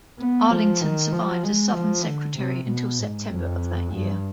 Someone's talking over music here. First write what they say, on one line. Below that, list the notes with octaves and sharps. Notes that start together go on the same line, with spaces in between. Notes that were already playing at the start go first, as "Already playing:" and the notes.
Arlington survived as Southern Secretary until September of that year.
B3
F3
D#3
F3
G#3
F3
D3
C3
B2
G#2
F2
G2